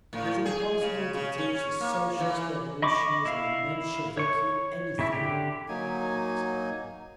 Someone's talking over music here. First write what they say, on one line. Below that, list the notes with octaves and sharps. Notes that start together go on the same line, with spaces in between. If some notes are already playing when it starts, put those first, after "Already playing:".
"It is impossible to teach the Socialist Revolutionaries and the Mensheviki anything!" he exclaimed.
A2
G#4
C#3
C#3
C#4
A#3
E3
D#5 B5 C#6 D6
E4 F5
C#5 C#6
C#3 E4
D3 G4
F#3 A#3 D#4 G#5